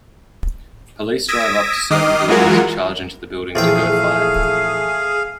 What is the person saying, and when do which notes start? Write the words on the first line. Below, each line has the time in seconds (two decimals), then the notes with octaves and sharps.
Police drive up to certain buildings and charge into the building to go fight.
1.28 D#6 E6 G#6 A#6 B6 D7
1.90 D#3 D#5 D6 D#6 F6 C7
2.28 E3 F#3 G#3 F4 F#4 A#4
3.55 A#1 E2 A3 G#4 F5 G5